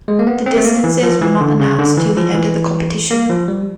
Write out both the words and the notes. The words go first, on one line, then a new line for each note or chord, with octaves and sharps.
The distances were not announced until the end of the competition.
G#3
A#3
B3
C4
A3
A#3
E3
F3
E3
D3
C#3
D3
E3
F3
E3
A#3
F3
G3